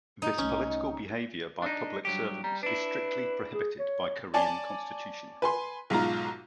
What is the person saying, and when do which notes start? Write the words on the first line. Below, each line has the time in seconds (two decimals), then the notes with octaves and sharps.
This political behavior by public servants is strictly prohibited by Korean Constitution.
0.22 F#2 D#4
0.38 C2 A3 C#4
1.62 D4 D#4
2.05 G2 F#3 G4
2.44 G3 A#5
2.63 D4 E4 B4
3.54 G#4
3.79 C#5
4.34 C#5 D5 G#5 A5
5.42 B4 G#5 C6
5.90 B1 G#2 F4 A#5